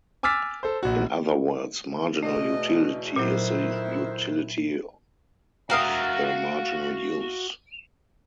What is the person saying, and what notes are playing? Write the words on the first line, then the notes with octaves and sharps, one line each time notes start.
In other words, marginal utility is the utility of the marginal use.
G#5 D6 E6 F6 A6 B6
A4 C5
A#1 F#4
E2 B2 A3 D#5
F2 A#2 D#3 F#3 E4 C5
F#4 A#4 E5 F5 D#6